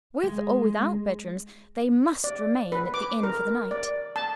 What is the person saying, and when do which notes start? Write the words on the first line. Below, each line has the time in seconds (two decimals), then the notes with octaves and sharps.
With or without bedrooms, they must remain at the inn for the night.
0.23 G#3
2.24 D5
2.72 B4
2.94 D6
3.23 A#4
3.71 D5
4.16 A5